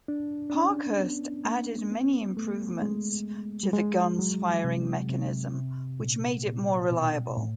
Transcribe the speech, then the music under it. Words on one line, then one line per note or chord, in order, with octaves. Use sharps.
Parkhurst added many improvements to the gun's firing mechanism which made it more reliable.
D4
D4
C#4
B3
A#3
B3
A3
G#3
G3
G#3
F#3
C3
C3
C3
A#2
A#2
B2
A2